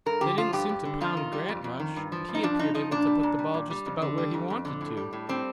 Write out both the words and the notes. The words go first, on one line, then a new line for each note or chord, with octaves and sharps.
"They didn't seem to pound Grant much, and he appeared able to put the ball just about where he wanted to."
G2 A#4
D3 G4
F3 F4
G2 G4
G2
D3
F2 F4
D#3
G3
F2
F2
D#3
G2
F3
G2
D#4
F3 D4
G2 D#4
F3 D#4
A#2 D4
G3
A#2
G3
A#2
G3
F2
D3
G3
F2
F2
D3
A2
G3
A2
G3 C4